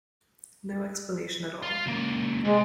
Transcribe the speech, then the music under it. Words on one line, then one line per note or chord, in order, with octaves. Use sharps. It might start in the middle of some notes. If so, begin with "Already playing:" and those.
No explanation at all.
F4 F5
C#2 A#3
C3 G#3